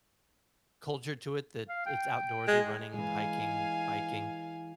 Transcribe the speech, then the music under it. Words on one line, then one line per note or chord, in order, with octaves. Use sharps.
culture to it, that it's outdoorsy, running, hiking, biking,
F5
G5
G#3
E3 G#3 F5 G#5